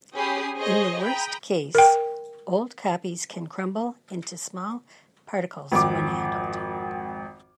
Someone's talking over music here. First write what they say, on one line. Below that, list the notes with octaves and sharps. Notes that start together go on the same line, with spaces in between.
In the worst case, old copies can crumble into small particles when handled.
C#4 G4 G#4 B5 D#6 C7
G#4 C5 C#5 D#5
G5 A#5 B5 D#6
A#4 G5
G#1 F2 D6